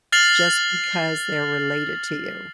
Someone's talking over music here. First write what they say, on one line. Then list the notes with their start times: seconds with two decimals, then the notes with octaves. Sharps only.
just because they're related to you.
0.12 F6 A6 C7 F7 F#7